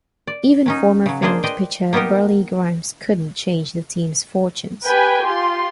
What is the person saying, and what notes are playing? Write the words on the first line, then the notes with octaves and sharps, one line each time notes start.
Even former famed pitcher Burleigh Grimes couldn't change the team's fortunes.
D5
F#3 C#4 D#4
C#3 F#3
G#3 A#3 D4 F4 G#4 C5
B4 C5 D5 D#5 G5
A#3 B3 D#4 G4 A#4
G4 B4 G5 G#5 B5
F4 G4 C6